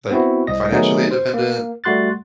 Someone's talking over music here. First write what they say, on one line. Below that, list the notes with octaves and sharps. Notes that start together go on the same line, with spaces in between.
like, financially independent.
B3 C4 E4 F#4
C2 D#5 A#6
D#3 F#3 A3 B3 D#4 G#4
C5
A#3
G3 A3 F#4 C6 F#6 A6